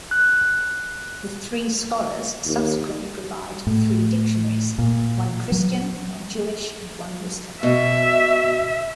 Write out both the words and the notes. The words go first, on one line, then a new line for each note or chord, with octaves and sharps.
The three scholars subsequently provide three dictionaries: one Christian, one Jewish and one Muslim.
F#6
D#2
A2
A#2
F#3
B2 E5